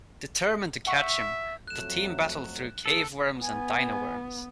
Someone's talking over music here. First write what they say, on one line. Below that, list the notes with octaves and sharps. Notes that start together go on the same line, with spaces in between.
Determined to catch him, the team battle through caveworms and dinoworms.
E5 F#5 C#6
F2 F#3 A3 F#6 E7
D#3 A#3 G#4 A4
B3 G#5